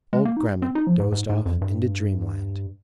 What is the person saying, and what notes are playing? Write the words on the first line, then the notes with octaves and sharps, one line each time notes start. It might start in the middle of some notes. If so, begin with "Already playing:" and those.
Old Grammont dozed off into dreamland.
G#3
A#3
D#4
C4
D#4
F3
G#2
G#2
G#2
F2
G2